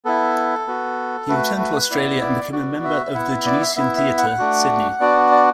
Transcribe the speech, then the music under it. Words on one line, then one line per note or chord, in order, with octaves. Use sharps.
He returned to Australia and became a member of the Genesian Theatre, Sydney.
B3 E4 A4
B3 F#4
A3 F#4 B4
B4
B3 E4 D5
D5
B3 F#4 D5
E5
B3 E4 F#5
E5
D5
E5
B3 E4 E5
E5
F#5
A3 D4 F#4
B3 D4 F#4 D5
D5